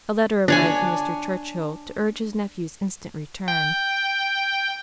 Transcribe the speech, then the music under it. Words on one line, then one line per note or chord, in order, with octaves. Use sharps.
A letter arrived from Mr. Churchill to urge his nephew's instant return.
D4 C#5 G#5
G5